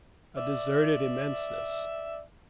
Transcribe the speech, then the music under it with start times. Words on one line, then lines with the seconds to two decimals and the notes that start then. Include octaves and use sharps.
A deserted immenseness.
0.37 D5 E5